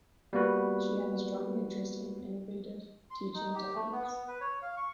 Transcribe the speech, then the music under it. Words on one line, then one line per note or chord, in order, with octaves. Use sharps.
She has a strong interest in innovative teaching techniques.
G3 A#3 B3 F#4 B4
C6
D#4
G4
A3
B3
B3
B4
C#5
F5
C#6